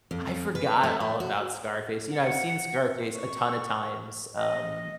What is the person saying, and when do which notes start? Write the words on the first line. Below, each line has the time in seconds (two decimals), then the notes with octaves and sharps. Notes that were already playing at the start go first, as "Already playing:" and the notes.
I forgot all about Scarface, you know, I've seen Scarface a ton of times, um,
0.11 F2
0.55 B4
0.83 A3
1.00 A3
1.20 F#4
2.11 F#5
3.14 C#6
4.34 D#5